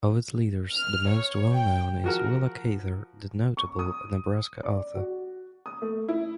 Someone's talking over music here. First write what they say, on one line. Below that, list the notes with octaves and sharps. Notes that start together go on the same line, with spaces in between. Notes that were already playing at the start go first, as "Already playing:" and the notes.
Of its leaders the most well known is Willa Cather the notable Nebraska author.
F6
C#5
G5
F3 F#4 A#4
C#6
D#6
D5
F#4
D#6
A3
E4